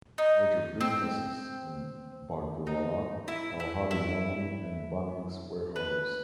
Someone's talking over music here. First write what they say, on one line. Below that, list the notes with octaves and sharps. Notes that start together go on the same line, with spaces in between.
Major businesses in Balgowlah are Harvey Norman and Bunnings Warehouse.
D#4
C4
D#4
E4
E4
E4
B4